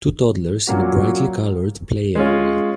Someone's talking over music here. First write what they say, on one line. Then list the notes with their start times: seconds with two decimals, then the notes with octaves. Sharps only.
Two toddlers in a brightly colored play area.
0.67 A#2 F#3 A#3 C#4 F#4
2.15 G#3 C#4 F4